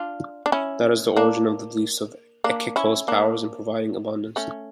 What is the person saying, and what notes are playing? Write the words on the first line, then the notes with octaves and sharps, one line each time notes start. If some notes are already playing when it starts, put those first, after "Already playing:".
That is the origin of the beliefs of Ekeko's powers in providing abundance.
Already playing: D4 F4
D4
C#4 E4
A#3 D4
A#3 D4
C#4 E4
A#3 D4
A3 C#4